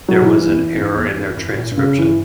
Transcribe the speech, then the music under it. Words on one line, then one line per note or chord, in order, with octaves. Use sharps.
there was an error in their transcription?
F#3
B2
A#2 E3
E3
E2
F#2
F#2
E2
F#2
F#2
A#2
G2
C#3
F#2
G2 E3